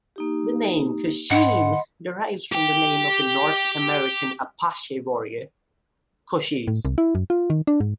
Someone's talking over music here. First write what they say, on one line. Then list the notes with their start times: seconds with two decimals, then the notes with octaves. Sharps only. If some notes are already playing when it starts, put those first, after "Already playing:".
The name Kosheen derives from the name of a North American Apache Warrior, Cochise.
0.16 A#3 D#4 G4
1.30 G#2 D#5 F#5 B5 C6
2.52 G4 G5
6.67 A2
6.85 C2
6.98 E4
7.15 F#2
7.30 F4
7.50 D#3
7.67 D4
7.80 G#2